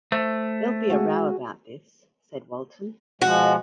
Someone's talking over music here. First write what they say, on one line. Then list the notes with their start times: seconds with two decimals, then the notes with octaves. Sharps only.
"There'll be a row about this," said Walton.
0.12 A3 C5
0.90 G#3 F#4 G#4
3.22 B2 F3 G#3 F#4